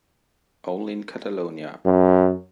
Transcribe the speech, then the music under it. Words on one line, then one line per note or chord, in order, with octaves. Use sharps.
Only in Catalonia.
F#2